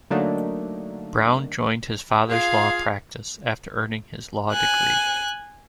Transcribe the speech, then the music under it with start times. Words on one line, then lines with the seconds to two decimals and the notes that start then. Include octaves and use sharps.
Brown joined his father's law practice after earning his law degree.
0.10 D3 F#3 A3 A#3 D4 D#4
2.29 F4 G#4 F5
4.52 G#5 F#6